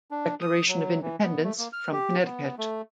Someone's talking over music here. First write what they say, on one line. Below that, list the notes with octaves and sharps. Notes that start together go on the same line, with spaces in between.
Declaration of Independence from Connecticut.
D4
D#6
F#3
E3
B3
A3
A#3
F6
G4
B3
A3